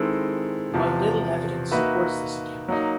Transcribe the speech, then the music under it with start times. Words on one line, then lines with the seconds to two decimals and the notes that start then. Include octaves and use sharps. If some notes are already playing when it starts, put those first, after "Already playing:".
But little evidence supports this account.
Already playing: D#3 G#3 C4 E4 A4
0.74 E2 C3 F3
1.72 A#3 D#4 F#4 B4 E5
2.69 F#3 A#3 D#4